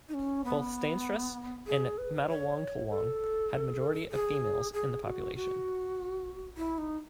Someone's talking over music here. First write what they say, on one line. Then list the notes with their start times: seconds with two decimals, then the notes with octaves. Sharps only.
Both Steynsrus and Matlwangtlwang had majority of Females in the population.
0.09 D#4
0.14 C#4
0.45 B3
1.67 G#4
1.98 B4
2.29 C#5
2.90 A4
4.12 G#4
4.74 G#4
5.05 F#4
5.36 F#4
6.57 E4
6.78 D#4